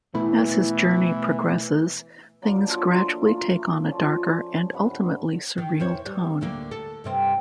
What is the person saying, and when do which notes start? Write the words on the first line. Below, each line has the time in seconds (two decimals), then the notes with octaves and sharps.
As his journey progresses, things gradually take on a darker and ultimately surreal tone.
0.15 B2 E3 A3 E4
2.42 F#3 A#3 D4 D6
2.65 F3 A4
2.91 A3 A#3 A#4 C6
3.21 A3 F4 A#4
3.90 F3 C#4 D5
4.72 G2 C3 F#5 B5
5.58 D#3
5.80 E2 C5 C#5
6.07 G3
6.41 D2 D3 A#3
6.71 A4
7.04 G2 C3 C4